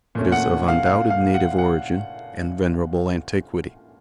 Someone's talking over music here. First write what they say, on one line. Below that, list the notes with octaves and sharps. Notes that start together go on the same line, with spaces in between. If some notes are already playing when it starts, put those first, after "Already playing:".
It is of undoubted native origin and venerable antiquity.
A#2 A3 C#4
F#5
F5
F5
F5
F#5
F#5